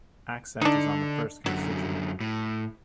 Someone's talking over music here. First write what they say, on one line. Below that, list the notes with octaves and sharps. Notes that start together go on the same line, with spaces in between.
Accent is on the first constituent.
D3 D4 D#4
F#2 D3 F#3
A2